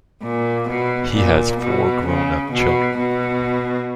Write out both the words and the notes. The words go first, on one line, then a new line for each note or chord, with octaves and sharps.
He has four grown-up children.
A#2
B2
A#2
B2
C#3
B2
B2